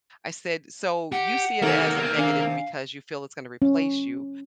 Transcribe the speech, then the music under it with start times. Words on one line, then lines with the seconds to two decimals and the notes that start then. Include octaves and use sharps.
I said, "So you see it as a negative because you feel it's gonna replace you,
1.12 G4 F#5
1.62 D#2 C3 A#3 D#4 A4 A#4
2.18 D4 F5 G#5
3.62 C#4